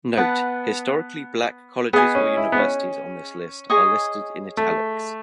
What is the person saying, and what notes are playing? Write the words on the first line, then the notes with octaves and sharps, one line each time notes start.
Note: "Historically black colleges or universities on this list are listed in italics".
B3 B4 F#5 A5
B3 G#4 D#5 G#5
C#4
E4
B3
C#4
G#4 D#5 G#5 C#6
A3